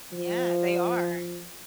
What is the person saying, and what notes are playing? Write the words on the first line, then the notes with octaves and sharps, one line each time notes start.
Yeah, they are.
F3